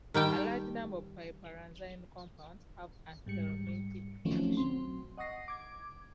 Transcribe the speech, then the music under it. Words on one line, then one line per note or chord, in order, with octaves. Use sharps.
A large number of piperazine compounds have anthelmintic action.
D#3 G3 G5 A5
G#2 G3 C#7
D#3 F3 F#3 A3 C4 C#4
B1 F#3 C4 C6
D#5 F#5 C#6 D#6 A#6 C7
D6 G#6